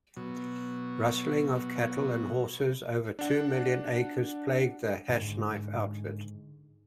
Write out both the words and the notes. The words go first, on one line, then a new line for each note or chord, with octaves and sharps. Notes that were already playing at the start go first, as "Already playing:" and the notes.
Rustling of cattle and horses over two million acres plagued the Hashknife Outfit.
B2 F#3
D4 F#5
G#2 D3